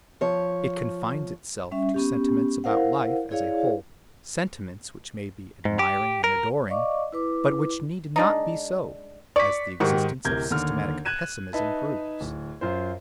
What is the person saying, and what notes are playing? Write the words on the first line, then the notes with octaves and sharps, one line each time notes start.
It confines itself to sentiments about life as a whole, sentiments which may be admiring and adoring, but which need not be so, as the existence of systematic pessimism proves.
F3 C#5
G3 C#4 E5
B3 C#4 G4
E4 A#4 C5 F5 F#5
E4 G#4 C#5 D5 F5
G#2
G4
A#4
D5 D#5 F5 C#6 D6
E4 B4 D6
G#3 D4 D#4
D5 C#6 B6
G#2 D#3 F#4 G4
D1 C3 A#4 G6 G#6
D#2 D3 F6
F#6 G#6 D#7 E7
D#4 B4 E5 A5
D1
F#2 F4 C5